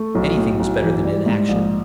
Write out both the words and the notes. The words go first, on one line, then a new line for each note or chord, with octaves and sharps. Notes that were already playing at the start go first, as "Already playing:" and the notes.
Anything was better than inaction.
Already playing: A3
B1
A2
B1
E3
G3
G#2
A#1